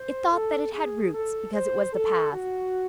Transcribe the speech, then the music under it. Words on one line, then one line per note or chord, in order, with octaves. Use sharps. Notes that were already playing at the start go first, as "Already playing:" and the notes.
It thought that it had roots, because it was the past.
Already playing: C5
A4
G#4
A4
C5
A4
F#4